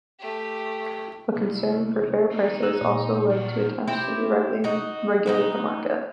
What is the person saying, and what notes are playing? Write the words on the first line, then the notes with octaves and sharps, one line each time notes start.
But concern for fair prices also led to attempts to directly regulate the market.
A3 G4
C2
C5
C4 D#4
D#4 A#5 E6 F#6
A#2
F3 F#4
C4 E4 G4 C5
D#4 F#4
F#3 B3 D#4